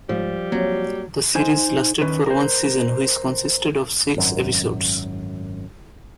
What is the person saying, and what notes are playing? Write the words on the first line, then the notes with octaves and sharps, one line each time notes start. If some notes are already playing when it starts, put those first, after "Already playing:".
The series lasted for one season which consisted of six episodes.
G#2 F3 G3 G#3
F#3 A#3 C4
D#4 C5 G#5
D#3 C#4 B4
A#4 C5
G#1 F#2